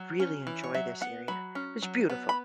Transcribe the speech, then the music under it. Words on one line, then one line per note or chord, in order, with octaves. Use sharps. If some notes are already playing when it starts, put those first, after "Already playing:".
really enjoy this area. It's beautiful.
Already playing: F#3
C#4
E3
C#5
F#3 E5
B3 F#5
F#3 B5
C#4
F#3
B3
B5